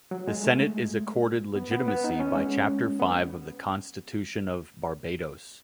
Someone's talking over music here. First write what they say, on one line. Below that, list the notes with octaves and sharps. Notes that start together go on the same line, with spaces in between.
The Senate is accorded legitimacy by Chapter Five of the Constitution of Barbados.
F#3
G#3
A3
B3
B3
B3
D#4
C#4
G#3
B3